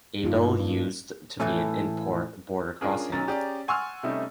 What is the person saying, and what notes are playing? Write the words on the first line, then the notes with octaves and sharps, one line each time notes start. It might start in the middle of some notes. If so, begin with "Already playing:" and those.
Abele used to be an import border crossing.
G2 A#3 D#4 F4
A2 E3 A3 C#4
C#4 D4 F4 G#4 A#4
B1 F#3 C#4 A#5 A6
C#4 G4 G#4 D5 A#5
F#5 G#5 C6 C#6 E6 F6
C3 G3 A3 C#4 D#4